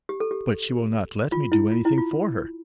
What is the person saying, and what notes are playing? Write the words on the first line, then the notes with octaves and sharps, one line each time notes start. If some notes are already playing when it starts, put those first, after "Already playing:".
"But she will not let me do anything for her."
G4
A4
G4
F4
E4
F4
E4
F4